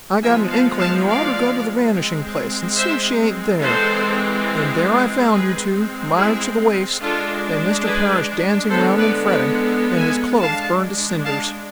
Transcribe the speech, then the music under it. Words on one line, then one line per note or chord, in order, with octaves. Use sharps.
'I got an inkling you oughter go to the Vanishing Place and see if she ain't there.' And there I found you two, mired to the waist, and Mr. Parrish dancing around and fretting, and his clothes burned to cinders.
F3 G#3 B3 E5 G#5
F5 A5
F5 A5
D5 F5
G#3 C4
C5 E5
E3 G#3 C4 A4 C5
G#3 C4 G#4 B4
E4 G#4
G#3 D4 F4 A4
G#4 B4
D3 G#3 B3 A4 C5
B4 D5
B4 D5
E5 G#5
G#3 D4 F5 A5
F5 A5